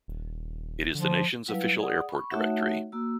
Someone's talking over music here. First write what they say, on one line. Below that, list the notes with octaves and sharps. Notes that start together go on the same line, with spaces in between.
It is the nation's official airport directory.
D#1
D3 F3
F#3 G3 E4 B4 F5
G#4 D5 F#5 D#6
B5 C#6
A3 D#4 F#4 C#5 E5 F#5
A#3 F#4 E6